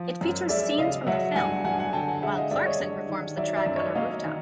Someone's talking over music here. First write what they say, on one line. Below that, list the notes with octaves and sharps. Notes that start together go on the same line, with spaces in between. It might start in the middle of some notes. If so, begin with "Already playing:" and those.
It features scenes from the film, while Clarkson performs the track on a rooftop.
Already playing: F3
F#2
G#3 D5 E5
C#3 D#5 F5
F#3 E5 F#5
G2 F#5 G#5
G2 F#5 G#5
F#5 G#5
D3 G5 A5
F#5 G#5
G#3 E5 F#5
D#5 F5
G2 D5 E5
C#5 D#5
G2
D#3
F#3 D5 E5
D5 E5
F#2
C#5 D#5
A#3 D#5 F5
D#3